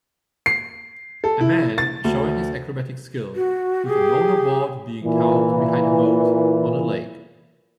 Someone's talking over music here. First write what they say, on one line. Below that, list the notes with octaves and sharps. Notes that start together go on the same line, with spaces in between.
A man showing his acrobatic skill with a monoboard being towed behind a boat on a lake.
C7
A4
E4
A6
D2
F#4
G4 G#4
A#2 E3